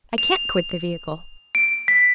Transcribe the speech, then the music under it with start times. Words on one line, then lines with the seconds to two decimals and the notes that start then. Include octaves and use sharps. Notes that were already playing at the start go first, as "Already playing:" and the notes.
"I can't quit the vehicle."
0.18 F7
1.55 D7
1.88 B6